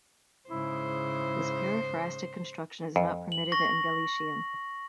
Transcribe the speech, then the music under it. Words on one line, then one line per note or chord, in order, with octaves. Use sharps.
This periphrastic construction is not permitted in Galician.
G#2 C#3 E4 C5
F2
F#7
C#6 A#6